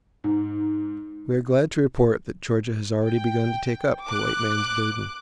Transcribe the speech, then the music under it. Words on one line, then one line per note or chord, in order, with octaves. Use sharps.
We are glad to report that Georgia has already begun to take up the white man's burden.
G#2
G5
D6 F#6